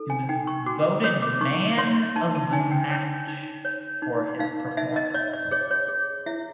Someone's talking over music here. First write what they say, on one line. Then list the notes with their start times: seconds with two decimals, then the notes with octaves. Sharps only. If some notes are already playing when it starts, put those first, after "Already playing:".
He was voted man of the match for his performance.
Already playing: D#4 A4
0.10 G#5
0.29 D#4 G5
0.47 C#6
0.66 F#4 D6
0.85 D#6
1.04 C#5 D#6
1.22 D6
1.41 D#4 C#6
1.78 C#5 C6
2.16 D#4 A5
2.35 A5
2.53 D#4 G#5
2.72 G5
2.91 C#5
3.27 D#4
3.65 C#5
4.02 D#4
4.39 D#4 F5
4.77 D#4 E5
4.96 D#5
5.14 C#5 D5
5.33 D5
5.51 G#4 C#5
5.71 C#5
5.88 G#4
6.26 E4 E5